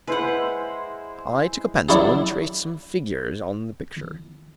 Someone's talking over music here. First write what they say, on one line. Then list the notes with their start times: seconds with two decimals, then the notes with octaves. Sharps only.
I took a pencil and traced some figures on the picture.
0.07 G#3 E4 B4 C5 F#5
1.89 F#3 D4 E4 F#4 G#4